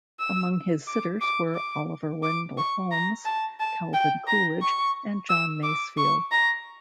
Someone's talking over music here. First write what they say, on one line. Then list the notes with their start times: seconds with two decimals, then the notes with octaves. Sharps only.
Among his sitters were Oliver Wendell Holmes, Calvin Coolidge, and John Masefield.
0.20 E6
0.87 D6
1.21 D6
1.55 D6
2.23 D6
2.58 C#6
2.91 A#5
3.25 A5
3.60 A5
3.94 G5
4.28 A#5
4.62 C#6
5.29 E6
5.63 D6
5.98 C#6
6.32 A#5